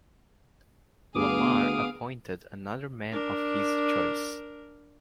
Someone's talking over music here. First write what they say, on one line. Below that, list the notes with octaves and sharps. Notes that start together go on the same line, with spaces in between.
Lamar appointed another man of his choice.
D2 B3 G#4 F5 D6 D#6
D4 A#4